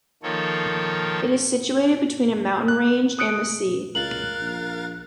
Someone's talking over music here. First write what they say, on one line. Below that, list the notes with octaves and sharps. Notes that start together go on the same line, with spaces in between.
It is situated between a mountain range and the sea.
D#3 F3 A#3 A4 C#5
F#6
D#6 F#6 C#7 D7
C#2 A#4 F5 F#6 A6 F#7
A#1